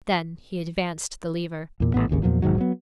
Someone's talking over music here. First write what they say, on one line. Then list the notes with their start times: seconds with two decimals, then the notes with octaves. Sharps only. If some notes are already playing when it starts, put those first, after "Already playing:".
Then he advanced the lever.
1.80 E2 A#2
1.94 A1 A2 B3
2.09 D1 G#1 D#2 C#3
2.23 E2 A#2 F3 F#3
2.42 E1 G#2 D#3 F#3
2.58 F#3 B3